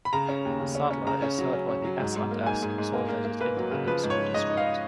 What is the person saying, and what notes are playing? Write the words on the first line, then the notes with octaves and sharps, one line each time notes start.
Sadler is served by the S and S Consolidated Independent School District.
B5
C#3 A#5
C#4
D#2
C#3
C#4
C#4
C#3 A#5
C#4
F#3
C#4
C#4
F#3
G#2
G#2
A#3
G#2 G#5
G#2
G#2
A#3
A#3
A#3
A#3 B4
F#3
C#3
F3 B4
G#2
C#5
F3
G#2 D#5
D#4
F5
D#4